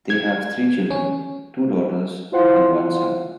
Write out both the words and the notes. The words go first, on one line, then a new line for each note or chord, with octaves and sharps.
They have three children, two daughters and one son.
G#6
C#4
E4 F4 C5 F5 F#5 C6